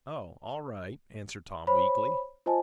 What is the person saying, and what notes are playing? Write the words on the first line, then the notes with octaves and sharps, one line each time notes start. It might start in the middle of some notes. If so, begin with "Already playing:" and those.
"Oh--all right," answered Tom, weakly.
C5 C#5 B5
F4 C5 D#5 G#5 A5